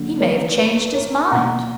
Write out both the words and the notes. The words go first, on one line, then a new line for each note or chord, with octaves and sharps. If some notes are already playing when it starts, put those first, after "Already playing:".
"He may have changed his mind."
Already playing: D3 F#3 A#3
A#4 C#5
B4
A#4 C#5
B2 A#3 F#5 A#5